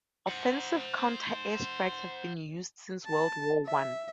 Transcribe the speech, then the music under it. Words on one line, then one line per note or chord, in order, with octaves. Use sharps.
Offensive counter-air strikes have been used since World War One.
C5 F#5
A5
E5